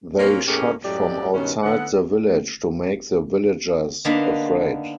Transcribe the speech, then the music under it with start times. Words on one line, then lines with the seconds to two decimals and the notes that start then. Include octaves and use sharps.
They shot from outside the village to make the villagers afraid.
0.18 B2 A#3 C4 C#4
0.47 E2 A2 A#3 C#4 G4 G#4
0.84 F#2 A2 F#3 G#3 G4 D5
1.34 G2 B2 D#3 C#4
1.63 D3 B3 F#5
4.05 D3 A#3 B3 D4 D#4